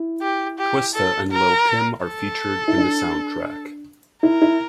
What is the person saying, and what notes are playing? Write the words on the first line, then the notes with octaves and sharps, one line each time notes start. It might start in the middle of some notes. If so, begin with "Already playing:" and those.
Twista and Lil' Kim are featured in the soundtrack.
Already playing: E4
G4
G4
A4
A#4
A4
E4
D4
E4 A#4
E4